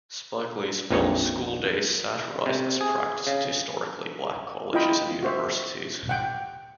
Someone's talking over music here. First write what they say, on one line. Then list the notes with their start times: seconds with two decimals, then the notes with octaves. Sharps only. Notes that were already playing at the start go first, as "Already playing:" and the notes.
Spike Lee's film "School Daze" satirized this practice at historically black colleges and universities.
0.91 A#1 F2 D#4 C#5
2.46 C3
2.81 G#4
3.27 C#3
4.73 E4 F4 D#5 G5 B5
5.23 F#4 C5 E5
6.09 F#5 G5